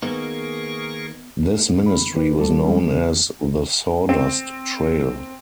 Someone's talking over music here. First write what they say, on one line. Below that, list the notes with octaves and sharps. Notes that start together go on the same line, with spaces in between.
This ministry was known as "The Sawdust Trail".
D#2 A#3 B3 D#4 G#4 A#4 C#6
B5
D#3 G4 B4
G3 F4 G4 A4
E3 F3 G3 G#3 C4 C#4
C4